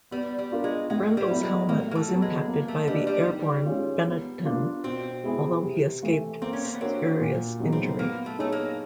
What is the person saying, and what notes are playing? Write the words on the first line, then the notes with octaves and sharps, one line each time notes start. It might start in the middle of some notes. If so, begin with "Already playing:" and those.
Brundle's helmet was impacted by the airborne Benetton although he escaped serious injury.
G3 B3
G3
D4 F4 A#4
G#3
A2 G#3
G3
F#3 B3 E4
G#3
A2 A#3
A#3
A3
F#3 B3
G#3
A#3
A3
G3 D4 G4 B4 D#5
G3
D#3
G#3 C#4 F4
B3
D4 F4 A#4
B2 C4
G#3 B3 E4 G#4
C3
E3 A3
A#3 C4
C#4
C4
B3
C4 D4 F#4 A#4 C#5
A#2
F#3 B3 D#4 G#4
C4
A#3 B3
A3
A3 D#4 G#4 C#5
A#3